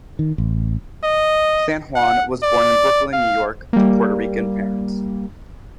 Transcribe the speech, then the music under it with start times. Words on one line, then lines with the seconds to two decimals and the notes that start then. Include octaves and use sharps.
San Juan was born in Brooklyn, New York to Puerto Rican parents.
0.19 D#3
0.38 A1
1.04 D#5
1.96 F#5
2.43 D5
3.13 F5
3.73 G3 A#3